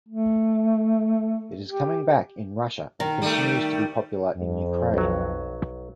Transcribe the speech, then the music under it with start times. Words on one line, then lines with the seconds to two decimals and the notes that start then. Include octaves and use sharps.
It is coming back in Russia and continues to be popular in Ukraine.
0.09 A3
1.68 G4
3.00 D#3
3.22 G3 A3
4.37 F2
4.94 B1 F#3